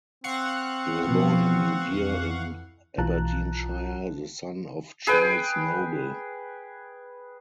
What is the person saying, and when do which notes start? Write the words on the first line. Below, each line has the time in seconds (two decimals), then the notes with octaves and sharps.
He was born in New Deer in Aberdeenshire the son of Charles Noble.
0.24 C4 F5 F#5 C#6
1.02 B2 F3 B3
1.86 F2 E3
2.98 B1 E3 F4 A5 A#5 F#6
5.07 G#4 B4 G5